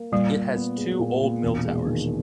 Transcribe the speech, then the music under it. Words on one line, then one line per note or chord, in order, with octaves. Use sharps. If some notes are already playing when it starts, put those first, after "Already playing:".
It has two old mill towers.
Already playing: A#3
A#2 G3
A#2
B3
G#3
A#2
A#2
E1
G#3
D#3